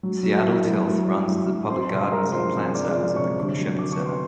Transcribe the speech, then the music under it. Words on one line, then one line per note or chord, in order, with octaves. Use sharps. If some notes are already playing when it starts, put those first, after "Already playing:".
Seattle Tilth runs the public gardens and plant sales at the Good Shepherd Center.
F#3
F#3
E4
F#3
F#3
E4
F#3
F#3
C4 C5 C6
C3 C5 C6
G#3 A#4 A#5
F3 C5 C6
C4
G#3 D5 D6
F3 D5 D6
C3 C#5 C#6
D3
F#3
D3 D6
C#6
B3
C6